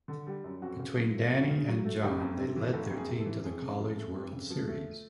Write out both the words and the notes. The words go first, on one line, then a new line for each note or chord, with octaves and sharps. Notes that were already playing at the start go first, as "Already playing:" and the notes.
Between Danny and John they lead their team to the college World Series.
D3
G3
F#2
F2 F#4
C#3
F#3
A3
F2 F#4
C#3
F#3
A3
F#1 G4
F2
C3
E3
F#1 A4
F2
G#4
C3
A4
E3
F2 G#4
C#3
F3
A3
F2
C#3
F3
A3